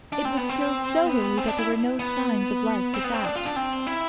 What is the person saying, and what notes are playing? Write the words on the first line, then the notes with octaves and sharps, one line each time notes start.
It was still so early that there were no signs of life without.
D4
C4
B3
C4
B3
C4
D4
E4
B3
C4
B3
C4
D4
F4
D4
C4
E4